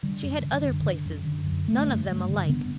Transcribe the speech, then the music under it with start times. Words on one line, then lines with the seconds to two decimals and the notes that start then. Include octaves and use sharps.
She had other places, none of them alike.
0.03 D3 G3
0.24 F#2
0.44 D3
0.65 D3
0.85 D3
1.06 F#2
1.27 D3
1.47 F#2
1.68 D3 A3
1.88 G2
2.09 G2
2.29 D3
2.49 D3 B3